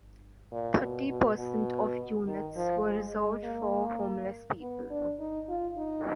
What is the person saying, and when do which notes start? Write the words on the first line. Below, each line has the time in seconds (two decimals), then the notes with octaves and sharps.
Thirty percent of units were reserved for homeless people.
0.52 A#2
0.81 B2
1.10 B2
1.39 B2
2.27 D#3
2.56 F3
2.85 G#3
3.14 G#3
3.44 A#3
4.61 B3
4.90 D4
5.19 D#4
5.49 F4
5.77 D#4